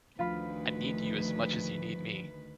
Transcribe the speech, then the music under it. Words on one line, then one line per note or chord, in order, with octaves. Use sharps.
I need you as much as you need me.
D2 D#3 F3 F4 B4 F5 B5